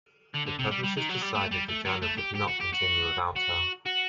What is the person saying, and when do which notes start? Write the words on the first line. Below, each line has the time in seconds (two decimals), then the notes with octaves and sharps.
The publishers decided the journal could not continue without her.
0.34 D3
0.46 D3
0.59 C3
0.71 G3
0.84 G3
0.97 D#3
1.09 F#3
1.22 G3
1.35 A3
1.51 G3
1.69 A3
1.85 F#3
2.02 A3
2.18 G4
2.35 G4
2.48 F#4
2.60 G4
2.73 F#4
3.36 F#4
3.86 F#4